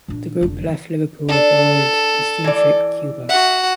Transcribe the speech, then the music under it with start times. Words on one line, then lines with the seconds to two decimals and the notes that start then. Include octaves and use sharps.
The group left Liverpool aboard the steamship "Cuba".
0.08 A#2 D4
0.41 F1 D3
0.68 E3
1.29 D4 A4
2.44 E3 D5
3.29 F#4 E5 F#5